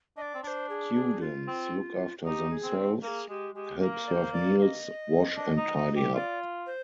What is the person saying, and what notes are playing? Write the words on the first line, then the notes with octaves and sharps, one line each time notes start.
Students look after themselves, help serve meals, wash and tidy up.
D4 D5 D#5
C4
D4 C5 D5
G#4
G#4
F4
C4
D#4 G4
G#4
C4
A#3 G#4 A#4
G#3 G4
G#3 G4
A#3 A#4
D5
C5
D5
F5
D#5
D4
D#4
D#4
G4
F4 D5
C5